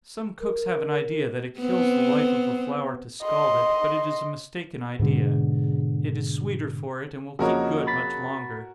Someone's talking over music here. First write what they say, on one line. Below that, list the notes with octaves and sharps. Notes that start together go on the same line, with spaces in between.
Some cooks have an idea that it kills the life of the flour to scald it, but it is a mistaken idea--it is sweeter for it, and will keep good much longer.
A#4
B3 C4
D#5 C6
G#2 B2 D3 G#3
F2 C#3 A#3 F4 F#4 A#4 C#5 D#5
B5 A6 B6